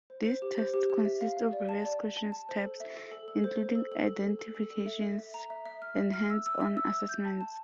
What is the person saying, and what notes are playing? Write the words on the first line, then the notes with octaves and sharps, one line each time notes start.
These tests consist of various question types, including identifications and hands-on assessments.
C5
C5
G4
C5
G4
G4
E5
F5
F5
D5
A5
D5
A5
A5
A5
C5
A4
E5
A4
A4
A4
C5
C5
A4
A4
A4
A4
A4
A4
A4
E5
E5
E5
A#5
E5
E5
F6
E5
F6
E6
E6
E5
E6
E6
G6
A5
A5